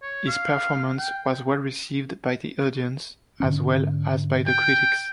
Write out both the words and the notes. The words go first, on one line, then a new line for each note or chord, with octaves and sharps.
His performance was well received by the audience, as well as by the critics.
C#5
F5
G5
G#2 D3 C#4
G5